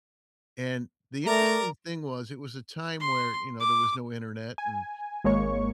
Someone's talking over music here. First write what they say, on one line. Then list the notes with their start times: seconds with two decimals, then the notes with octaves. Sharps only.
And the interesting thing was, it was a time where, you know, there was no internet and
1.26 A3 A#4 D5 A#5
3.00 C6
3.60 D6
4.58 G#5
5.24 G#1 G#3 A#3 C#5 C#6